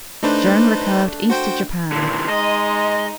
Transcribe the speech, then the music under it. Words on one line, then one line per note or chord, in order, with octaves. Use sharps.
Joan recurved east of Japan.
A3 D4 D#4 B4 C5
F#4 C5 G5
A#2 D3 E3 C6
G#3 D#4 D#5